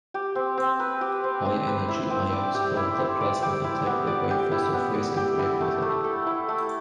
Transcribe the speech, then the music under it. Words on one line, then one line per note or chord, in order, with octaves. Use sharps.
High-energy ions from the plasma attack the wafer surface and react with it.
G4
C4
C4
B4
G4
C4
C4
B4
E4
C4
D5
G4
E4
C4
D5
G4
E4
B3
D5
G4
E4
B3
D5
G4
E4
A3
A3
A4
E4
A3